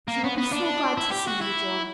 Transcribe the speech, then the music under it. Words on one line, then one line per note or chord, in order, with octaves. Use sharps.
She will be so glad to see you, John!
A#3
B3
B3
D4
E4
G4
F#4
E4